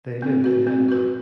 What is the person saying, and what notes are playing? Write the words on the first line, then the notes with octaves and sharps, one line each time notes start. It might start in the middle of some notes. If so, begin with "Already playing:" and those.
They live in Edinburgh.
C4
F#4 B4
C4
F#4 B4